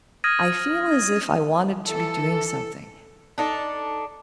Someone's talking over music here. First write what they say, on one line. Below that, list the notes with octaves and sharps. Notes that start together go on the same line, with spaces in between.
I feel as if I wanted to be doing something.
D#6 F6 G#6 A#6 D#7
E3 A4
D4 D#4 A4